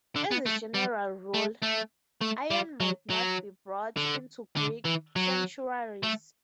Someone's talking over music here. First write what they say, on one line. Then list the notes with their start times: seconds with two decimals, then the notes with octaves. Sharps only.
As a general rule, iron might not be brought into Greek sanctuaries.
0.16 D3
0.31 B3
0.46 A3
0.74 G3
1.34 A3
1.62 A3
2.22 A3
2.51 G3
2.80 F#3
3.10 F#3
3.97 D3
4.57 D3
4.85 E3
5.16 F#3
6.03 A3